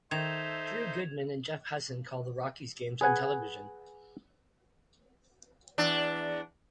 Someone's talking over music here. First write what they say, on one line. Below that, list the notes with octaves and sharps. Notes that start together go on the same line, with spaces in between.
Drew Goodman and Jeff Huson call the Rockies games on television.
D#3 D#4 A4 C5 E5 G#6 E7 F7
G#4 B4 F#5 G#5
E2 D4